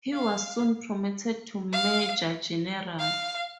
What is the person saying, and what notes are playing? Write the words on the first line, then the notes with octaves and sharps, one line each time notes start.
He was soon promoted to major general.
F5
F5
F5